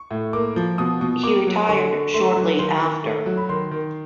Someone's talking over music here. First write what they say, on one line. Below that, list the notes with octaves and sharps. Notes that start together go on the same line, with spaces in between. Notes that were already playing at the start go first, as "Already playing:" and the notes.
He retired shortly after.
Already playing: C#6
A2
A#3 D6
F3
B2 D#6
B2
A#3 D6
F#3
D3 C#6
D3
A3 C6
F#3
D#3 C6
D#3
A3
F#3
B5
D#3 C6
D#3